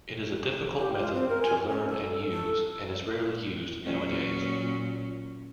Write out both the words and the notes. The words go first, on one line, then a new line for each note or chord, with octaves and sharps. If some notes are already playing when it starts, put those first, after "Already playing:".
It is a difficult method to learn and use, and is rarely used nowadays.
G4
F4
C4
A#4
G#5
C#4
A4
A4
A#2 F#3 C#4